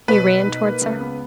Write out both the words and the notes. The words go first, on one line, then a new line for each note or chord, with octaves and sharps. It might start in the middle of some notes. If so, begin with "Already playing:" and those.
He ran towards her.
B2 B4
B2
D#4
A#3
C#2
B3